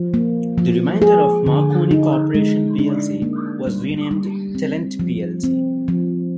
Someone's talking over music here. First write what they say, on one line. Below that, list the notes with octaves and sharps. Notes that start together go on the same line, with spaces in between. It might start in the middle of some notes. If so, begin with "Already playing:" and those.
The remainder of Marconi Corporation plc was renamed Telent plc.
Already playing: F3
A#3
F3
G#4
D3
D#4
G#3
D4
A#3
G3
G3
C4
F3
C4
F3